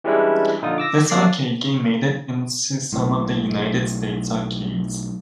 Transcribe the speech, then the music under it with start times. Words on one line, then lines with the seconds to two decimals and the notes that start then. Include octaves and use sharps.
This arcade game made it into some of the United States arcades.
0.04 E3 G3 G#3 C#4 D4 E4
0.62 A#1 D3 D#4 F4 D#6
0.78 D6 E6 A#6
1.10 F#2 C3 A#3 D4 D5 C7
2.92 B1 A2